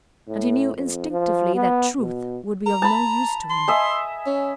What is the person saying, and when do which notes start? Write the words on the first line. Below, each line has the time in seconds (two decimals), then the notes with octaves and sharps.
And he knew instinctively that truth would be of no use to him.
0.28 A2
0.75 F2
1.11 F3
1.55 B3
1.99 B2
2.66 A#5
2.82 A5 B5
3.50 C6
3.68 D#5 E5 G#5
4.26 C#4